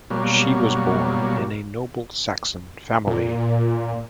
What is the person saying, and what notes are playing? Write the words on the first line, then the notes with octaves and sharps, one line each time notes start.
She was born in a noble Saxon family.
B2 F#3 G3 A#3
A#2